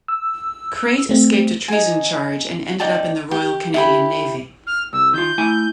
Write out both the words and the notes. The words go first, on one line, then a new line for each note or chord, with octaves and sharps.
Crate escaped a treason charge and ended up in the Royal Canadian Navy.
E6
A3 C4
D#4 G#5
D#4 D5 G5 A5
G4
E4 G4 B5
F6
C2 E6
D#3 F4 G6
A3 E4 G#5